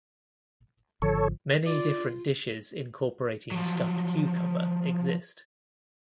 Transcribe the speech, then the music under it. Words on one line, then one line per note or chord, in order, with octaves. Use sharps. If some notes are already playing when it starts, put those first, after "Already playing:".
Many different dishes incorporating stuffed cucumber exist.
G#1 D3 F3 A4 C#5
F4 D5
F3 F#3